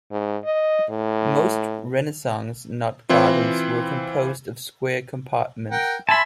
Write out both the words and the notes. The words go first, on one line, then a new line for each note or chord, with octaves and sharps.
Most Renaissance knot gardens were composed of square compartments.
G#2
D#5
A2
E3 C4 E4 F4
A#4 F#5 G5
E5 G#5 A5 B5 C6